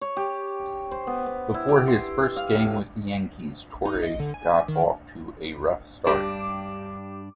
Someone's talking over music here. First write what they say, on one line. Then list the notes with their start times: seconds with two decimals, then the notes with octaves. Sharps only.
Before his first game with the Yankees, Torre got off to a rough start.
0.01 C#5
0.17 G4
0.91 C5
1.07 B3
1.26 B3
1.54 E4
1.69 G4
1.88 C6
2.36 F5
2.55 A2
3.85 D#4
4.02 D#5
4.20 D3
4.34 G#5
4.68 D#3
6.07 G2 D4 G4 D6